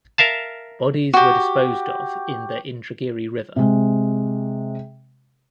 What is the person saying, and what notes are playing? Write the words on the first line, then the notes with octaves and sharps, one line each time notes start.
Bodies were disposed of in the Indragiri River.
A#4 E5 F5 A5
F#4 G4
C3 G#3